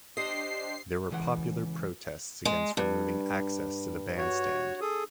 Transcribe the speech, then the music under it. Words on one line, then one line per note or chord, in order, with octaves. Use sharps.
There were popular protests against removing access to the bandstand.
D4 G4 C5 D#5 C7
C#2 E3 F#5
G#3
G2
F#4 C#5
G#4 A4 D#6